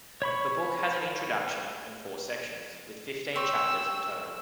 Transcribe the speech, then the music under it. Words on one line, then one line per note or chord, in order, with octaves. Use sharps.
The book has an introduction and four sections, with fifteen chapters in total.
C#5 B5 C#6
C#5 G5 C6 E6